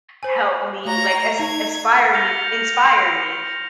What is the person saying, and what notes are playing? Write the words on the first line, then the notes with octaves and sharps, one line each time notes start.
help me, like, is ispire me inspire me
C5 G#5
A3 C#5 A#5
D#4 G#6
F6 G6 A#6 C#7 F7